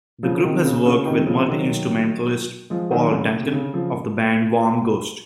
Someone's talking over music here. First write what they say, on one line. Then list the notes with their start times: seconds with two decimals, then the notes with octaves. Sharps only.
The group has worked with multi-instrumentalist Paul Duncan of the band "Warm Ghost".
0.23 C#3 F3
0.44 C3 D#3
0.64 C#3
0.86 C#3
1.05 C3 D#3
1.26 C#3 F3
1.46 D#3 F#3
2.70 F3 G#3
2.91 D#3 F#3
3.11 C#3
3.41 C3
3.53 C#3
3.73 C#3 F3